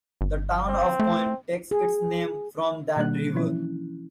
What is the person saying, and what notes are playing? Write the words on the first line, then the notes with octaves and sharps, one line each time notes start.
The town of Coen takes its name from that river.
G1
C4
A3
G#4
B2 D#3 G3 A#3 D4 F#6
E3 F3 C#4 E4